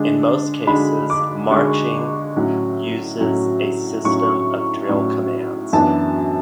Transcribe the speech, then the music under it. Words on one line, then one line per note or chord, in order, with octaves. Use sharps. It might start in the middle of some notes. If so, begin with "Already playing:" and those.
In most cases, marching uses a system of drill commands.
Already playing: D3 G#3 D4
D3 G#3 D4 B5
D6
D3 G#3 D4 C#6
A2 F#3 C#4
A2 F#3 C#4
A2 F#3 C#4 C#6
A2 F#3 C#4
F#2 E3 B3 D4 A5